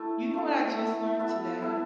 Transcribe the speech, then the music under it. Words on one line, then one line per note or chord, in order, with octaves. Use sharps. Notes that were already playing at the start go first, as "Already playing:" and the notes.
you know what I just learned today?
Already playing: A3 E4 A4
A3 E4 A4
B3 E4 A4 E5
B3 E4 A4 E5
B3 E4 A4 E5